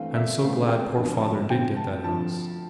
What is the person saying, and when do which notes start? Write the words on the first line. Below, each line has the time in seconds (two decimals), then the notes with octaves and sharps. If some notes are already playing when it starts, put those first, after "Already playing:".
I am so glad poor father did get that house.
Already playing: G2 E3 A3 C4 F5
0.15 E5
0.41 G2 E3 A3 C4 F5
0.68 G5
0.96 D3 F3 C4
1.22 A5
1.50 D3 F3 C4 G5
1.77 A5
2.04 F2 D3 F3 A5